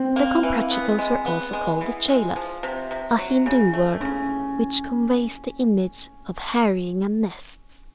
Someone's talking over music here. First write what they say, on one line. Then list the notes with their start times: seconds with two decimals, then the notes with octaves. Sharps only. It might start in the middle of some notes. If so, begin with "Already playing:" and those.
The Comprachicos were also called the Cheylas, a Hindu word, which conveys the image of harrying a nest.
Already playing: C4
0.16 A#3
0.43 E3
0.71 B3
0.99 G#3
1.26 B3
1.53 G#3
1.81 E3
2.08 G#3
2.36 F3
2.63 C3
2.91 C3
3.18 F#3
3.46 C#3
3.73 A3
4.00 C#3 C#4